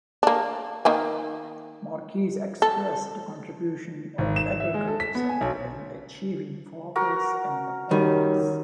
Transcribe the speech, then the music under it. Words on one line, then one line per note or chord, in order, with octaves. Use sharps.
Marquez expressed the contribution of agriculture sector in achieving progress in the province.
A#3 D4
D#3 A#3 D#4
A4
G#1
E7
E5
G#3
A4
B6
B3
G#5
B1
F#4 A#4
F#2 D#3 G3